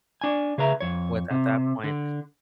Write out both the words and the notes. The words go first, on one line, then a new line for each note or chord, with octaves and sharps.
with, at that point,
D4 G#5
C#3 G#4 B4 E5 A#5
F2 C#5
C3
D3